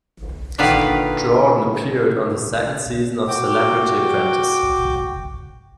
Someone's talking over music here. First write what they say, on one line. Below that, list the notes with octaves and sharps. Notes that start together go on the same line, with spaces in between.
Jordan appeared on the second season of "Celebrity Apprentice".
A#2 D3 D#3 B4 F5
F#4 G5 D6 G6